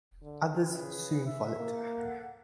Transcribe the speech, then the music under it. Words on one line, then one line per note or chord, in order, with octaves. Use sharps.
Others soon followed.
D3
C#3 G#4 B4
E5
A#3
A4 F#5